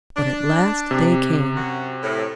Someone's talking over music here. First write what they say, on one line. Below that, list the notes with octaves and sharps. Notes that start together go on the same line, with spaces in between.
But at last they came.
D4
C3
F#2 F#4
A2